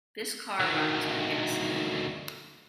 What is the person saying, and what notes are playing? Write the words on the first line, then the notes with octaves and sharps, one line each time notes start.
This car runs on gasoline.
D2 D#3